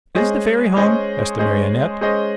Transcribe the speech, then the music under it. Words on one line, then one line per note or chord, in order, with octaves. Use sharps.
"Is the Fairy home?" asked the Marionette.
G#3 C#4 G#4 C5 D#5
G#3 C#4 G#4 C5 D#5
G#3 C#4 G#4 C5 D#5
G#3 C#4 G#4 C5 D#5